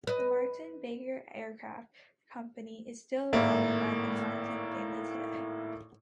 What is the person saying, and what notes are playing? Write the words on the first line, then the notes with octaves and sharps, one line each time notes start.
The Martin-Baker Aircraft Company is still run by the Martin family today.
B4 D#5
G#1 A2 A#3 E4